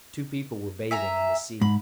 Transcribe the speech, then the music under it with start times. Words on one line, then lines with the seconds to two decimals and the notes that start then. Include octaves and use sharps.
Two people were bathing in the sea.
0.91 E5 G#5 A#5
1.61 G#2 B5